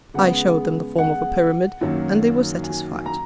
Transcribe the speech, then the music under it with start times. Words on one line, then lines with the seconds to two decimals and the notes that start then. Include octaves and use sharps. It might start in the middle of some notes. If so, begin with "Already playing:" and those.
I showed them the form of a pyramid, and they were satisfied.
0.14 C#3 G#3 B3 F#5
0.98 F#5
1.81 F#2 D#3 F#3 A#3
2.63 G#5
3.06 A#5